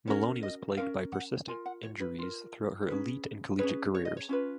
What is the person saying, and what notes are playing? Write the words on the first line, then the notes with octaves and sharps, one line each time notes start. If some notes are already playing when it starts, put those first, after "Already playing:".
Maloney was plagued by persistent injuries throughout her elite and collegiate careers.
C#4 F#4 A#4 C#5
D#5
C#4 F#4 A#4 F5
F#5
F4 A#4 G#5
F#5
C#5
B4
F4 A#4
C#4 G#4 B4
C#4 G#4 B4 C#5
C#5
D#5
C#5
C#4 F4 B4